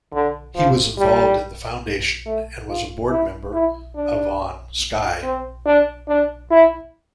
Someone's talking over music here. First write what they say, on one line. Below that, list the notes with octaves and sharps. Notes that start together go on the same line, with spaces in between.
He was involved in the foundation and was a board member of on Skye.
D3
F3
G3
A3
F4
E4
E4
D4
C4
D4
D4
E4